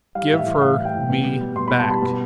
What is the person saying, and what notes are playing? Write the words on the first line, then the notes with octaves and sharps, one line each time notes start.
"Give her me back."
G3 F5
A2 E5
F5
E3
A2 F5
G3
G5
A2
B2
G3
G3
B2 C6
B2 B5
A5
G3 B5
B2